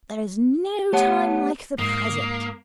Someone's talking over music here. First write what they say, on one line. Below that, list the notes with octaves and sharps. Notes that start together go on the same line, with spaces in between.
There is no time like the present.
A3 B3 G4 C#5 F#5 A5
G#2 A#3 D#6 C7